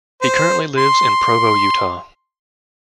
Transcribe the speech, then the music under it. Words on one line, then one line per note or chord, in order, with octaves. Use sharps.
He currently lives in Provo, Utah.
C5
C6